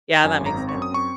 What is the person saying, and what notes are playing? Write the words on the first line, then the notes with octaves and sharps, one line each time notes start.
Yeah, that makes sense.
F#2 G#5
G#1
A#5
C4
C#6
F#2
D#6
C4 C#6